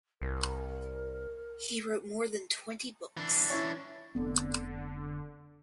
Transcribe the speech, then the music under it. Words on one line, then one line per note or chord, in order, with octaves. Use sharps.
He wrote more than twenty books.
C2 A#4
E3 D4
C#4 E4 C#5
F1 D3 B3 C4